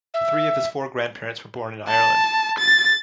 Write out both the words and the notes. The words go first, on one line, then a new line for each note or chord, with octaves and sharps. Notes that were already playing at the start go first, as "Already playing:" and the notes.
Three of his four grandparents were born in Ireland.
E5
A5
A6